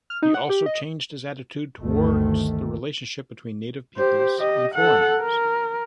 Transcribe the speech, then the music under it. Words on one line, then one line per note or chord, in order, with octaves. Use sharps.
He also changed his attitude towards the relationship between native peoples and foreigners.
F6
D#4
F#5
G4
D#5
G1 D2 D#3 A3
G4 C5
G4 D#5
A4 F#5
A#4